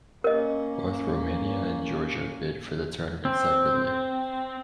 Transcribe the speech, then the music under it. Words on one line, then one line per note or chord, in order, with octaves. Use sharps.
Both Romania and Georgia bid for the tournament separately.
A#3 C#4 A#4 D#5
C4